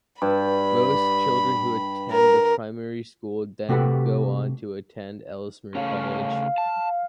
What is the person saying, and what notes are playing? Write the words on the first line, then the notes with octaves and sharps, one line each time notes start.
Most children who attend the primary school then go on to attend Ellesmere College.
G2 B5
A#4
C3 A3 F#4 G4 A4 B4
C#3 A3 C#4 F5
A5